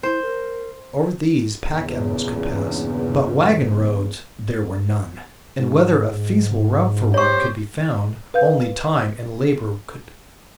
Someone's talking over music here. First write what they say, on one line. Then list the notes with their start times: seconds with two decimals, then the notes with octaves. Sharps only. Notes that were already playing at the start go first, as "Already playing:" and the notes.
Over these pack animals could pass, but wagon roads there were none; and whether a feasible route for one could be found, only time and labor could determine.
0.03 E4 C5
0.22 A#4
1.67 E2 G2 A#2 C#3
5.59 G#2
7.14 G4 C5 C#5 C#6
8.34 B4 F5 G6